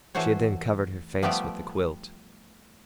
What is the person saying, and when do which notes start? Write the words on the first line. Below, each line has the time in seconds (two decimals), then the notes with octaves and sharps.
She had then covered her face with the quilt.
0.15 E3 A3 F#4 C5 C#5
1.22 F3 G3 A3 B3 G4 D5